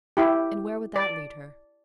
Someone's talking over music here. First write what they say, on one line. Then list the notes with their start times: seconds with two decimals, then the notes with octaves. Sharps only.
And where would that lead her?
0.17 E4 G4
0.96 D5